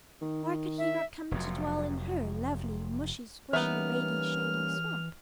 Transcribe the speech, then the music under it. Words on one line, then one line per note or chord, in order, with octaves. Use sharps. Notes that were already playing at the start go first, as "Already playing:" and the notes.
Why could he not come to dwell in her lovely, mushy-squshy, wady-shady swamp?
D#3
E5
F1 F2 F#3
E3 G3 A#3 B3 C#4 D#4 E5 F6